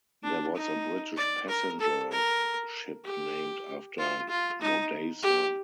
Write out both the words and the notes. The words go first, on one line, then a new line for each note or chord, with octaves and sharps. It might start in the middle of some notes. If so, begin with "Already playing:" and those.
There was a British passenger ship named after Modasa.
D4
D#4
D5
A#4
A4
A#4
G4
F4
F4
D#4
G4